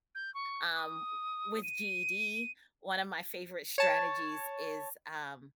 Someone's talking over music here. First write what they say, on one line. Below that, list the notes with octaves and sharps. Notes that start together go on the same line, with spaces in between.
Um, with GED, one of my favorite strategies is, um
G6
C#6
D#6
D#7
C#5 A5